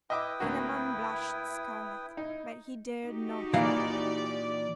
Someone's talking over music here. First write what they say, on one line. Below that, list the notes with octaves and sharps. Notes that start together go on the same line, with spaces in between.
Philammon blushed scarlet, but he dared not lie.
E4 B4 D#5 E5 G5 D6 D#6
D2 A#3 F#4
D#4
D#4 F#4 G4
A#2 E3 D5 F5